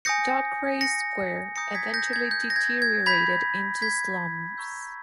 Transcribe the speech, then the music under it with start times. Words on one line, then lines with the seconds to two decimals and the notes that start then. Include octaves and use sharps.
Dockwray Square eventually deteriorated into slums.
0.05 G#5 D#6 G6 A#6 C#7
0.81 A#6 C#7
1.56 A#5 D#6 G6 A#6 C#7
1.75 G#6 B6
1.94 G6 A#6
2.13 G#6
2.31 G6
2.50 A#6
2.56 G#6
2.82 G#6
3.06 B5 G6 G#6 B6
3.82 G#6 B6
4.57 A#5 C#6 E6 G6